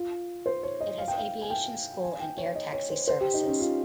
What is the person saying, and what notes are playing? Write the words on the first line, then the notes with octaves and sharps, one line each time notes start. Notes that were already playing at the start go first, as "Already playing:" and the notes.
It has aviation school and air taxi services.
Already playing: F4
C5
C#5
D#5
F5
G5
F5
G#5
G5
G#5
G5
C#5
D#5
C#5
C5
C5
G4
D#4
C#4
F4